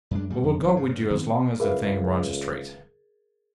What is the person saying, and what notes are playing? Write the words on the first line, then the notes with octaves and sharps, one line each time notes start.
We will go with you as long as the thing runs straight.
F#2 G#3 D4
A#2 C#3 G3
F2
G#1 E3 G3
G2 C#3
D#3 B3 C4
C#2 G#4 A#4 B4 E5 F5